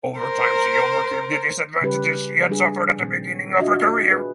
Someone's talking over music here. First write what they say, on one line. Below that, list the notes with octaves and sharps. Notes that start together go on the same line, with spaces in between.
Over time she overcame the disadvantage she suffered at the beginning of her career.
A#4 C5
C#3 G3 C#4 G4 B4
G3 D4 G#4
A#2 D#3 C4
D4 F4 F#4 D#5 E5
G#4 B4